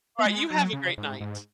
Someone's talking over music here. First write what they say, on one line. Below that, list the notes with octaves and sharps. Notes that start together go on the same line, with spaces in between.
Alright, you have a great night.
B3
G#3
F#3
C#3
G#2
G#2